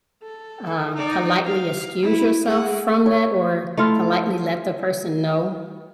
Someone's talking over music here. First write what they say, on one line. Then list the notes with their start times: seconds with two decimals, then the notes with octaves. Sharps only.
uh, politely excuse yourself from that or politely let the person know,
0.23 A4
0.95 D#4 D5
1.45 F5
2.02 E4 B4
2.45 G#3 F#5
3.06 C#5
3.77 A3 E4 F4 F5